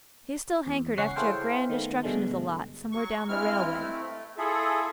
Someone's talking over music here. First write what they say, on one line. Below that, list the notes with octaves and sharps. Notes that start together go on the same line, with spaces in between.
He still hankered after a grand destruction of the lot somewhere down the railway.
E2
C#2 C#4 F#5 C#6 C7
E4 G#4 A4 C5 F5 G5
D#3 A3 B3
G2 B2 D3 G#3 A3
F#3 C#6
G2 G#3 C4 E4 F6
A3
E4 F4 G#4 A4 E5